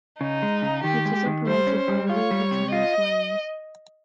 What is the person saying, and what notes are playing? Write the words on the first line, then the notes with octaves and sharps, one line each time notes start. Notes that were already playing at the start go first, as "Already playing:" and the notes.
It is operated by Arriva Trains Wales.
C#3 D#4
G#3
C#3
D#3 G4
G#3
D#3
G3 C5
C#4
C5
G3
F4 C#5
G3
C3
F4 D#5